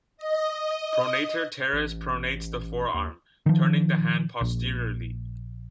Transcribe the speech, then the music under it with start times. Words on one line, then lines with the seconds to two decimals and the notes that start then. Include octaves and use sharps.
Pronator teres pronates the forearm, turning the hand posteriorly.
0.17 D#5
1.73 A1
2.94 D#2
3.46 D#3 F3
4.41 A#1